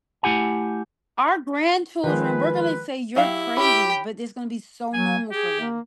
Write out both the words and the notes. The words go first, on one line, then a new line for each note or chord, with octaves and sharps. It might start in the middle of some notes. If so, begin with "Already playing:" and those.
our grandchildren we're gonna say "You're crazy," but it's gonna be so normal for them.
A3 E4 G4 F#5 G#5
D#3 F3 G#3 B4
F#3 E4 G4 F5
C#4 G4 G5 B5
F#3 G#5
G4 G#4
A#3